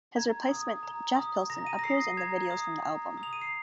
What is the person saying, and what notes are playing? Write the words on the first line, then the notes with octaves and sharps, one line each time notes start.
His replacement, Jeff Pilson, appears in the videos from the album.
A#5 G#6
D#6
A#5
D#6
A#5 A#6
D#7
A#6
D#6 C7
A#6
A#5 G#6
D#6
A#5
D#6
F7
D#7
C7